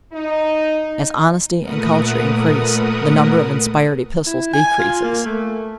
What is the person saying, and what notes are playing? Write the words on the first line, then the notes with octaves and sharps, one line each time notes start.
As honesty and culture increase, the number of inspired epistles decreases.
D#4
A#2 A3 A#4 B4 F#5 D#6
E4
G#5
F4
A#3
A3